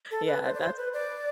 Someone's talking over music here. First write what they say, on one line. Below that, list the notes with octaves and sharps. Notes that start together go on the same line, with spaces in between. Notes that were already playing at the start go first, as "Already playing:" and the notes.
yeah, that's
A4
B4
C5
D5
C5
B4
D5